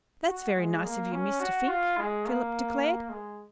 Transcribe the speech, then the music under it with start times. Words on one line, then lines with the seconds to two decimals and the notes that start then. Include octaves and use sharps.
"That's very nice of you, Mr. Fink," Philip declared.
0.27 F#4
0.57 G#3
0.85 A#3
1.12 C#4
1.40 F#4
1.68 F4
1.97 G#3
2.26 A#3
3.10 G#3